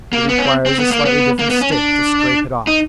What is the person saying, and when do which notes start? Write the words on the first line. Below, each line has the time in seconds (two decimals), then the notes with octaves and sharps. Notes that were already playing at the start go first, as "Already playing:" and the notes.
It requires a slightly different stick to scrape it off.
0.13 A#3
0.29 B3
0.38 C#4
0.45 C4
0.66 C4
0.79 B3
0.92 A#3
1.05 B3
1.39 A#3
1.50 B3
1.61 C#4
1.72 D4
2.67 D#4